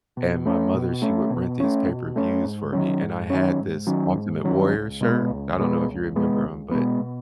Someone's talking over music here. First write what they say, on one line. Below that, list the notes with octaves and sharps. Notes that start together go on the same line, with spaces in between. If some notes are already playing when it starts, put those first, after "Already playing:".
and my mother, she would rent these pay-per-views for me and I had this Ultimate Warrior shirt. I don't know if you remember 'em, but
B2
A3 C#4
B2
A3 C#4
B2
A3 C#4
B2
A3 C#4
G#2
D#3 F#3 C#4
G#2
D#3 F#3 C#4
G#2
D#3 F#3 C#4
G#2
D#3 F#3 C#4
C#2
B2 G#3 B3
C#2
B2 G#3 B3
C#2
B2 G#3 B3
C#2
B2 G#3 B3
B2